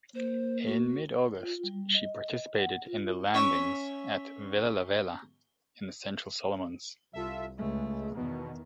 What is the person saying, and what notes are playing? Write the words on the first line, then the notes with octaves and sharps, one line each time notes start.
In mid-August, she participated in the landings at Vella Lavella in the central Solomons.
A#3 C5
F#4
F4
G3
D#5
F#5
F4
C#4 C#5 E5 C#6
C2 F4 A4 E5
C#2 G#3 A3
E2 B2 D#3